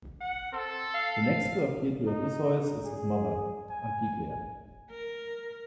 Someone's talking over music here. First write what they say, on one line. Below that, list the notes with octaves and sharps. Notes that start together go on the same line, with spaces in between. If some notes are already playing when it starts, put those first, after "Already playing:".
The next to appear to Odysseus is his mother, Anticlea.
F#5
C4 A4
F5
D#4
G#4
G#5
A#4